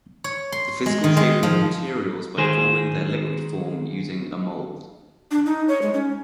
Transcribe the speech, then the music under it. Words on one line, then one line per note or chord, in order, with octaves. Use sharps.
The physical shaping of materials by forming their liquid form using a mould.
C#5
C6
G#3
D#3
G#3
F3
D#3 G#3 G#4 C5
D4
D#4
C#5
G#3
C#4